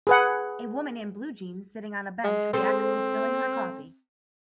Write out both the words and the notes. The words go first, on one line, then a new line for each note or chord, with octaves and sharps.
A woman in blue jeans sitting on a bench reacts to spilling her coffee.
G#4 B4 F#5
G#3
G#3 C4 A4 C5